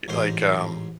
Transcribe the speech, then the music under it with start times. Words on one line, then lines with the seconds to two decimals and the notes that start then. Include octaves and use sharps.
like, um,
0.08 A1 G#2 C5 C6